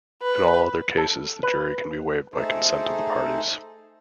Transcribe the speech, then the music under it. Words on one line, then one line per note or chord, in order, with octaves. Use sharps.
In all other cases, the jury can be waived by consent of the parties.
B4
A4
B4
A3 D#4 G#4 A4 C5